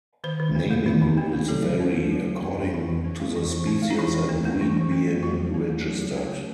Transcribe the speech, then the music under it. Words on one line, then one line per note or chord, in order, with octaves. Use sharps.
Naming rules vary according to the species and breed being registered.
D#3 C5
D#3
C4
A3
D#3
D#3
C4
A3
F#3 A4
F#3
C#4
A3
F#3
F#3
C#4
A3
E3 E4
E3
C#4
G#3
E3
E3
C#4
G#3
D#4
E3 E4
E3
C4
A3
E3
E3
C4
A3
F#3 F#4
F#3
C#4
A3
F#3
F#3
C#4
A3